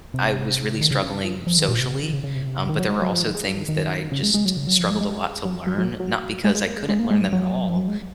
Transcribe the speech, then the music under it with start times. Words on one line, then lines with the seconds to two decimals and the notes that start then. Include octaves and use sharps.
I was really struggling socially. Um, but there were also things that I just struggled a lot to learn, not because I couldn't learn them at all,
0.14 C3
0.74 C#3
0.81 D#3
0.91 C#3
1.02 C#3
1.24 F3
1.47 F3
1.58 D#3
1.68 A#2
1.80 C3
1.91 C#3
2.02 D#3
2.13 C#3
2.24 C#3
2.35 C3
2.42 C#3
2.46 C3
2.58 C#3
2.69 D#3
2.79 F#3
2.90 G#3
3.02 F#3
3.13 F3
3.23 D#3
3.35 G#3
3.46 F#3
3.57 D#3
3.68 D#3
4.12 C#3
4.23 G#3
4.34 G#3
4.45 F#3
4.57 C#3
4.67 F#3
4.79 F3
4.90 G#3
5.01 G#3
5.45 F#3
5.67 F#3
5.78 F#3
6.00 F#3
6.44 G#3
6.55 G#3
6.66 A#3
6.77 G#3
6.89 G#3
6.99 A#3
7.11 G#3
7.21 F#3
7.33 F#3
7.68 F3
7.76 F#3
7.88 G#3